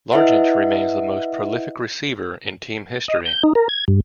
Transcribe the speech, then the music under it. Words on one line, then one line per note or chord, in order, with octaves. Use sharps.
Largent remains the most prolific receiver in team history.
E4 B4 D#5 E5 F#5
D#5
G6
D#4
A#4
G#6
G2